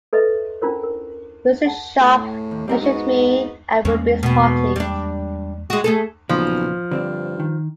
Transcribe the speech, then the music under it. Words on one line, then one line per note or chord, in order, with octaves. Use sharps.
Mr. Sharpe measured me at Ruby’s party.
A4 B4 D#5 E5
C#4 D4 E4 F4 A#4 C5
A#4
F#5 A5
A2 G#4
D#2
D#2 G3 C4 A#4
G#2 B3 F#4
E2 G#3 A#3 C#4
B2 B3
G3 D4
G#3 F#4
A3 G#4 A4
B1 A#2 C#3 E3 F3
G2 D3 C4 D4
D#3